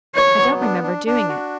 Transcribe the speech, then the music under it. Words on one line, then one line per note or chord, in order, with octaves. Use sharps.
I don't remember doing it.
F#3 C#5
B3
D4
D4
D4
F#4